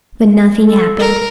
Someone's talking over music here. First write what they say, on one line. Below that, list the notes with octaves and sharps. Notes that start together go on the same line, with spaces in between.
But nothing happened.
A4
A#4